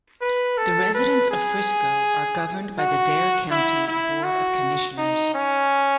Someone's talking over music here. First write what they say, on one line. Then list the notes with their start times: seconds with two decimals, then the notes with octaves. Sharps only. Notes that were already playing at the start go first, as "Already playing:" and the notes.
The residents of Frisco are governed by the Dare County Board of Commissioners.
0.21 B4
0.57 A4
0.95 B4
1.31 G#4
2.78 F#4
3.51 E4
3.88 E4
4.24 F#4
4.98 D#4
5.34 C#4